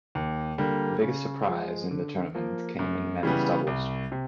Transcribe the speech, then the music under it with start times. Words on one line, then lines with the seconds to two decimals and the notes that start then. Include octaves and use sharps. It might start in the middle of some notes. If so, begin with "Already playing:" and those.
The biggest surprise in the tournament came in men's doubles.
0.15 D#2
0.58 D3 G3 A#3
1.02 C#3
1.47 F3 G#3
1.91 D3
2.35 F3 A#3
2.79 F#2
3.23 C#3 E3 G3 B3
3.67 C2
4.12 C3